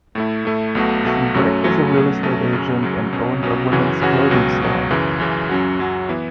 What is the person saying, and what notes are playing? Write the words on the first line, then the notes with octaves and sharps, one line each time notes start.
She worked as a real estate agent and owned a women's clothing store.
A2 A3 E4
A2 A3 E4
B1 B2 A3 F#4
B1 B2 A3 F#4
F#2 F#3 A3 C#4
F#2 F#3 A3 C#4
B2 F#3 A3 C#4
B2 F#3 A3 C#4
F#2 C#3 F#3 C#4
F#2 C#3 F#3 C#4
B1 B2 F#3 C#4
B1 B2 F#3 C#4
F#2 C#3 E3 C#4 F#4
F#2 C#3 E3 C#4 F#4
C#2 B2 F#3
C#2 B2 F#3
F#2 C#3 E3
F#2 C#3 E3
F#2 F#3 C#4 F#4
F#2 F#3 C#4 F#4
E3 B3 E4